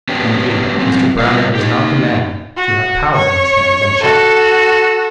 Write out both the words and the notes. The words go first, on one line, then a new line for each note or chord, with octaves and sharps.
Indeed, Mr Brownrigg was not the man to have power in his hands unchecked.
B3 C#4 D4 F#4 G4
F#3 C4 C#4
G3 F4 B4 C#5 D#5 F5
D#4 G4
F#4
C#5
F#4 A4